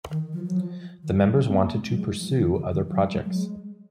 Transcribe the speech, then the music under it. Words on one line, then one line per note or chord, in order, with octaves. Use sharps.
The members wanted to pursue other projects.
D#3
F3
F#3
F3
D#3
F#3
C4
A#3
G#3
F#3
G#3
F3
D#3
C#3
D#3
F#3
F#3
G#3
F#3
G#3